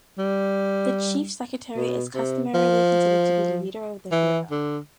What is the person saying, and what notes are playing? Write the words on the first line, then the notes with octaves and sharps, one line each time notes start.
The Chief Secretary is customarily considered to be the leader of the bureaux.
G3
B2
C3
F3
E3
D3